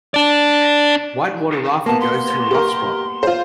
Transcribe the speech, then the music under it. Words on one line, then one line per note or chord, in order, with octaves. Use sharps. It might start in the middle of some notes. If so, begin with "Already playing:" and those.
White water rafter goes through a rough spot.
D4 D5
A#3 B3 A5
C6
G4 A#4
F4 C5